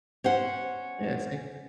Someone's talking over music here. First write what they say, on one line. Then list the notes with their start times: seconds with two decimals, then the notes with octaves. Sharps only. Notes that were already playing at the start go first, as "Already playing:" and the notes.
yeah, see
0.24 C#4 C5 F#5